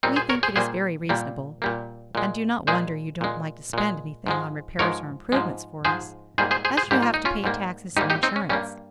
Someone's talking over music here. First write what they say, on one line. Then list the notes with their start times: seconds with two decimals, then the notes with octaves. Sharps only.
We think it is very reasonable, and do not wonder you don't like to spend anything on repairs or improvements for us, as you have to pay taxes and insurance.
0.03 A#2 G3 A#3 C4 D#4
0.16 G#4 C5
0.30 A#4 C#5
0.43 G#4 C5
0.56 A#2 G3 A#3 G#4 C5
1.09 A#2 G3 A#3
1.62 A#2 G3 A#3
2.15 A#2 G#3
2.67 A#2 G#3 G#4 C5
3.21 A#2 G#3
3.73 A#2 G#3
4.27 G#2 F3 G#3
4.79 G#2 F3 G#3 A#4 C#5
5.32 G#2 F3 G#3
5.85 G#2 F3 G#3 G#4 C5
6.38 G#2 G3 A#3 G#4 C5
6.51 G#4 C5
6.65 G#4 C5
6.77 G#4 C5
6.91 G#2 G3 A#3 G4
7.03 F4
7.14 D#4
7.25 C#4 F4
7.44 G#2 G3 A#3
7.97 G#2 G3 A#3 D#4 G4
8.10 D#4 G4
8.23 C4 D#4
8.36 C#4
8.49 G2 G3 A#3 C#4